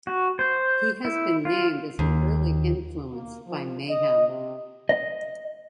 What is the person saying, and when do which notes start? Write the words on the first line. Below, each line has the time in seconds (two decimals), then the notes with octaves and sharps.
He has been named as an early influence by Mayhem.
0.07 F#4
0.39 C5
1.05 E4
1.45 F4
1.99 D#2
3.12 A#3
3.47 F3
3.89 D#5
4.28 C3
4.89 D#5